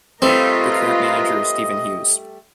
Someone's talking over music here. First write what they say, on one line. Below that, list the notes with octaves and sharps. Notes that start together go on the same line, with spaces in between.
The current manager is Stephen Hughes.
G3 A3 C4 F4 A#4 B4 D#5